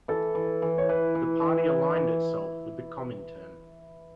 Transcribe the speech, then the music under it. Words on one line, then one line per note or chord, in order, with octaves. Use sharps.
The party aligned itself with the Comintern.
E3 A4
E3
E3
C#5
E3 B4
E3
E3
E4
E3